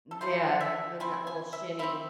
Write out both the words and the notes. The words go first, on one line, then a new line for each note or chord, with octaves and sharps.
yeah, doing that little shimmy.
A4
E3 A3 D#4 C5
E5
E3 C4 E4 G#5
G#5
E5
E3 C4 E4 E5